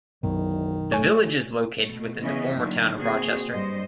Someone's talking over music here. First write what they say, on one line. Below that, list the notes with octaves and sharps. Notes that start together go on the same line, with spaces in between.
The village is located within the former Town of Rochester.
E1 B1 F#2 B2 D#3
A3 C#5 G#5
B2 A3
C#3 E3 B3 C#4 D#5 E5
A#2 D3 D#3 F#3 A#3
A#3 C4 F#4 G#4
G2 C5 D#5